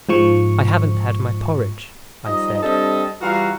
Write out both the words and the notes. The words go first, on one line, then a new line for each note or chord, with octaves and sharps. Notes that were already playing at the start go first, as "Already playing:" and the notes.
"I haven't had my porridge," I said.
G#2 F3 C#6
F3 G3 D#4 D#5
G3 C4 D4 A4 D#5
E3 G3 F4 F#4 F5 A#5